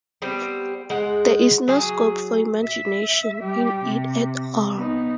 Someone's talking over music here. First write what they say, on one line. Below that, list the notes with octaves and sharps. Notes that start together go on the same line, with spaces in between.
There is no scope for imagination in it at all.
G3 B3 C4
G#3 F#5
F#3 G#4
E5
G3 G4
C3
B3 D#4